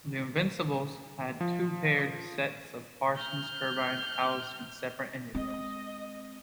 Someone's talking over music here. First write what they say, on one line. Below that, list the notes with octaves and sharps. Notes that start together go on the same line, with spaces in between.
The "Invincible"s had two paired sets of Parsons turbines housed in separate engine-rooms.
F3
F6 G6
G#3 C4 D#5